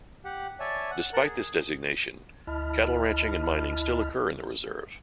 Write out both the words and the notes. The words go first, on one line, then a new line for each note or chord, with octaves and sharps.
Despite this designation, cattle ranching and mining still occur in the Reserve.
G4 F#5
C#5 D5 E5 G#5 A5
F#5
A#4 F#5 A5 F#6
G#4
D2 E4 D#5 A5 B5 F6